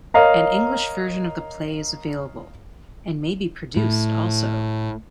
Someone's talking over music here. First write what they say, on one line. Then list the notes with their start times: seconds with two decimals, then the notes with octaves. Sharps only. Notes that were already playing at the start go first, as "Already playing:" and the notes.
An English version of the play is available, and may be produced also.
0.14 A#4 C#5 D#5 F5 A#5
3.76 A2